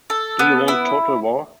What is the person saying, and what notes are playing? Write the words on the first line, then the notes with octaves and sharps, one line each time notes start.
Do you want total war?
A4
B3
E4